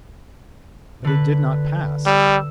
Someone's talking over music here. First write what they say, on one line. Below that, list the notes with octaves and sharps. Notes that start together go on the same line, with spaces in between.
But it did not pass.
D3 B4
G3 E6